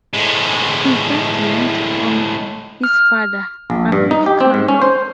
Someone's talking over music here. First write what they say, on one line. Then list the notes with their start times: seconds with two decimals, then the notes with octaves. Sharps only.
He first learned from his father Rafiq Khan.
0.14 A2 G#3
2.84 F6
3.70 A#1
3.92 G2
4.11 D#4
4.26 G4
4.41 C4
4.54 G#2
4.68 C#4
4.82 C5